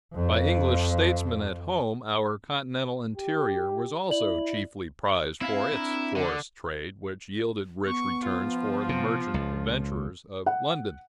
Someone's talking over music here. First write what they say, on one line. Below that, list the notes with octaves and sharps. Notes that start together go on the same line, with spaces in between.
By English statesmen at home, our continental interior was also chiefly prized for its forest trade, which yielded rich returns for the merchant adventurers of London.
F2 F3
G4
E4 D5 F#7
C4 E4 F5 G#5
C4 D4 A#4
D3
B3 C#6
F3 F4
C3
C#2
F#5